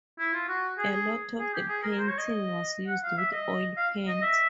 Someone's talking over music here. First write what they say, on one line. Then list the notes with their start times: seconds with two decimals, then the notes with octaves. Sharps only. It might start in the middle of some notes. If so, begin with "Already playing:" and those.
A lot of the painting was used with oil paint.
0.19 E4
0.33 F4
0.48 F#4
0.78 G#4
1.39 G#4
1.54 G4
1.68 G#4
1.83 A#4
1.99 C5
2.08 C#5
2.18 D#5
2.87 F#5
3.03 F5
3.17 E5
3.32 D#5
3.77 F5
4.08 D#5
4.22 E5